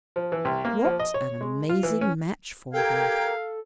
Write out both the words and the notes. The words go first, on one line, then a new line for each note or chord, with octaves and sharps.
What an amazing match for her!
F3
E3
C2
A#3
F3
D#5
C#5
G#3
F4
E3
C#4
G4 A4 A#4 F5 G5 G#6